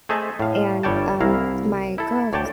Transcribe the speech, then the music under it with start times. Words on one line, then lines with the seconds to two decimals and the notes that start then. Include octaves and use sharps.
and, um, my girl
0.09 A3 G#4 C5 D#5 E5 A5
0.39 A2 F5
0.83 G1 G3 C#5 D5 G5 A5
1.21 C2 E4 F5 A#5
1.98 E4 A4
2.33 D2 C#5 D5 G5 A5